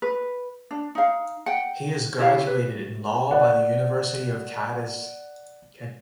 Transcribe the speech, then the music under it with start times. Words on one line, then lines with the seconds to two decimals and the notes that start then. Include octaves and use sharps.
He is graduated in law by the University of Cadiz.
0.02 B4
0.71 D4
0.95 D#4 F5
1.46 F#5 G5
2.19 E4 G4 C#5 F5
2.47 B4
3.31 D5 F#5